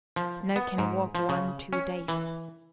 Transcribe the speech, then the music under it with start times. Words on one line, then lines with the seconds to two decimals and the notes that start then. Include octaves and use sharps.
No can walk one, two days.
0.16 F3
0.56 B3
0.78 G#2
1.15 F3
1.29 C#3
1.73 C#4
2.08 E3